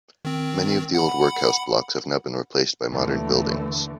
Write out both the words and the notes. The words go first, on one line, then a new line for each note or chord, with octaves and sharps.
Many of the old workhouse blocks have now been replaced by modern buildings.
D#3 C4
F#5 B5
D#2 D3 E3 A3